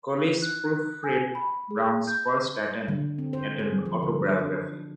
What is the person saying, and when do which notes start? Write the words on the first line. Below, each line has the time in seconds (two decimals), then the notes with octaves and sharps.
Collis proofread Brown's first attempt at an autobiography.
0.21 D#4
0.42 F#6
1.04 G#5
1.35 B5
1.71 G#4
2.07 G6
2.88 D3
3.18 C4
3.33 C5
3.59 G#4
3.86 F3
4.03 D3
4.39 D4